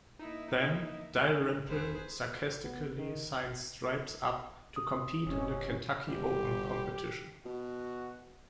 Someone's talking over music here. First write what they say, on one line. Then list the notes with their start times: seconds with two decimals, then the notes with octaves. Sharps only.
Then, Dalrymple sarcastically signs Stripes up to compete in the Kentucky Open competition.
0.19 A#3 D#4 E4
0.48 D#4
1.17 G#3
1.67 E1 G#4 B4 C5
2.64 B3
2.97 D#3
4.76 D#6
5.25 F1 G#2 C3 C#4
6.07 G1 G4
7.46 B2 F#4